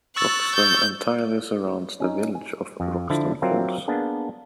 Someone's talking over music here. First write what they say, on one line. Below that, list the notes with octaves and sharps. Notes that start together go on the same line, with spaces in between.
Roxton entirely surrounds the village of Roxton Falls.
C#6 E6 F#6 A6
G6
C#4 D#4
G#5
F2
D3 F3 D4 E4
F#3 C4 F4 A#4 D5 E5
A#3 B3 D4 G#4